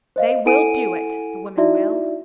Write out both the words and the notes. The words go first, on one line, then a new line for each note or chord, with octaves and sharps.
They will do it--the women will.
C5 D#5 F5
E4 A4 F#5 G#5 D7 D#7
D#4 E4 F#4 D5 E5